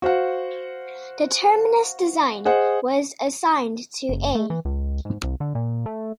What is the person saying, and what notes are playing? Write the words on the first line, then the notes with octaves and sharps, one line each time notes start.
The terminus design was assigned to A.
F#4 C5 F5 F#5
G#4 C5 D#5 F#5
F#1
A3
E3
C#2
G#2
C2
D3
A#2
A3